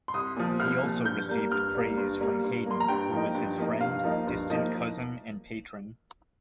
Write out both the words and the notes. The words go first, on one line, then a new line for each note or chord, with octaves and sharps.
He also received praise from Haydn who was his friend, distant cousin and patron.
C6
C2 D#6
A#2 F3
C2 F6
A#2 F3
G2 G6
G3 A#3
G2 F6
G3 A#3
G2
G3 A#3
G2
G3 A#3 C6
A#5
G2 G5
F3 A#3 D#4
G2
F3 A#3 D#4
G2 F5
F3 A#3 D#4
G2
F3 A#3 D#4